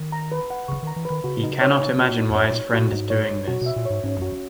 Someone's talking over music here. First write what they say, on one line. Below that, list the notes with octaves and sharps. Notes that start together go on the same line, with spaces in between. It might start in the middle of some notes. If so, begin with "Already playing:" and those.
He cannot imagine why his friend is doing this.
Already playing: D#3
A#5
B4
F#5
C#3 C#6
D#3 A#5
E3
B4
D#3
C#3 F#4
D#4
C#5
D#4
F#4
D#4
E2
F#2 C#5
A#2 D#4
F#4
A#2
G#2 D#4
C#5
D#4
B2 F#4
B2 E5
A#2
G#2 C#5
G#2 C#4
F#2 F#4